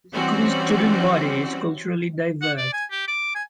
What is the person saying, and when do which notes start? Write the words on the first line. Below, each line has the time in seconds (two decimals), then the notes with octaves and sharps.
The school's student body is culturally diverse.
0.13 E3 G3 C4 C#4 F#4
2.42 F#5
2.57 D5
2.73 G#5
2.91 G4
3.08 D6
3.35 G#5